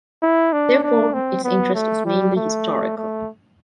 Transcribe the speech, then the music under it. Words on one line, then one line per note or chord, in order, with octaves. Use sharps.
Therefore, its interest is mainly historical.
E4
D4
D4
C4
B3
A3
G3
A3
A3